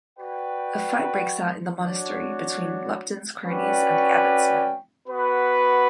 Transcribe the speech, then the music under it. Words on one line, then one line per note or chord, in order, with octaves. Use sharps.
A fight breaks out in the monastery between Lupton's cronies and the Abbot's men.
F#4 B4 D5 G5
D4 F#4 C#5
C#4 F#4 B4 D5 G5
B3 F#4 B4